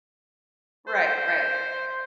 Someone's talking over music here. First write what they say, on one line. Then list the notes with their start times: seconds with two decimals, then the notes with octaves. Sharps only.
Right, right.
0.88 C5